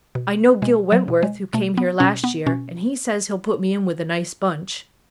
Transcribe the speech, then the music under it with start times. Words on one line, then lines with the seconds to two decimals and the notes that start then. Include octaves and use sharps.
I know Gil Wentworth, who came here last year, and he says he'll put me in with a nice bunch.
0.15 B2
0.62 B2 G#3
0.92 F#3
1.08 B2
1.23 G#3
1.54 B2 A3
1.77 B3
2.00 B2 C#4
2.24 B3
2.46 B2 C#4